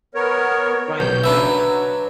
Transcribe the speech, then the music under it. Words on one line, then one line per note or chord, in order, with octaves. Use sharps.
Right, right.
B3 A#4 C#5
B1 G6
F#3 D4 B4 E5